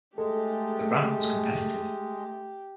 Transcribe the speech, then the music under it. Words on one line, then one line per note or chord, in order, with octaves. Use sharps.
The grant was competitive.
G#3 A3 G4 A4